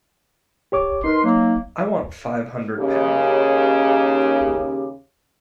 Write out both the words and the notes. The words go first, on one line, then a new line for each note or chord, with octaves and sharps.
I want five hundred pound.
G4 C#5 D6
D#4 A#4 B4 C6
F#3 A#3
D#2 C#3 G4